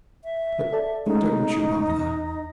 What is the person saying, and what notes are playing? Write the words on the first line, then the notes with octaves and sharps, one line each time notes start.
But don't you bother.
E5
A4 D5 A5
G#3 A3 C#4 D#4
E2 A#6